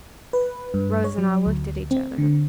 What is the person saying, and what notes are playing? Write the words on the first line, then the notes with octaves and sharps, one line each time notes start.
Rose and I looked at each other.
B4
G2
C#5
F#3
D2
C4
D3